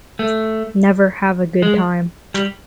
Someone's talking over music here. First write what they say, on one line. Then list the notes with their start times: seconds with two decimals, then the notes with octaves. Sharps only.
Never have a good time.
0.19 A3
1.62 G#3
2.34 G3